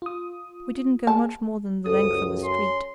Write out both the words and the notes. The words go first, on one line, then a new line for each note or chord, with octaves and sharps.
We didn't go much more than the length of a street.
F4 D#6
A#3 G#4 A5
C#2 F#2 A4 C5 D#6
C#4 C6